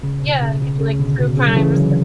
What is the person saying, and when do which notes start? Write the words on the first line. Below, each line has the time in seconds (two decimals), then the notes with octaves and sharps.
Yeah, it could be like True Crimes,
0.03 C#3
0.23 B2
0.41 C#3
0.61 C#3
0.80 C#3
0.99 B2 D3
1.18 B2
1.37 C#3
1.47 F#3
1.56 C#3 E3
1.75 D3 F#3